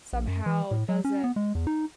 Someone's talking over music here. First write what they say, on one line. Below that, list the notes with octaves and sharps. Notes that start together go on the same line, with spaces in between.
somehow doesn't
A#1
F#2
E3
A2
F#3
C#4
B3
G#3
E2
D#4